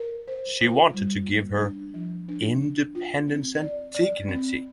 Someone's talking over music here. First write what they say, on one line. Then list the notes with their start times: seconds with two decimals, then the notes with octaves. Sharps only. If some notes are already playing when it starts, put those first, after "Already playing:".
She wanted to give her "independence and dignity".
Already playing: A#4
0.27 C5
0.61 F4
0.94 G3
1.27 A#3
1.62 D4
1.94 F3
2.28 D4
2.61 D4
2.95 F4
3.28 C4
3.61 D5
3.95 D5
4.29 C4